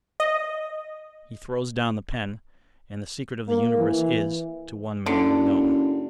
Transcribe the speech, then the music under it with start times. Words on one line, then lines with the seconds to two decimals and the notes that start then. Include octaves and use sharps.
He throws down the pen; and the secret of the universe is, to one man, known.
0.20 D#5
3.48 A#3
3.78 E3
5.06 F#1 D3